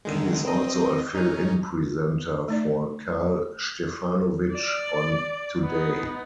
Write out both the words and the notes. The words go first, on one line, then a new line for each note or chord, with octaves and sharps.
He is also a fill-in presenter for Karl Stefanovic on "Today".
D3 D#3 G#3
C4 D#5
C#4 D#4
A3 D#4 D5
D5
B3 D#4